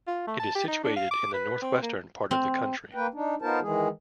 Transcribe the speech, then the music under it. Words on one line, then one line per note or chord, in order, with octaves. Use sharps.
It is situated in the northwestern part of the country.
F4
A3
A5
G4
D#4
D4
F5
D6
B4
C4
A#3
C4
A#3 B4 G5
D4 D#4
B3 D#4 F4 A#4 C5 A5
D#3 E3 G#3 G#4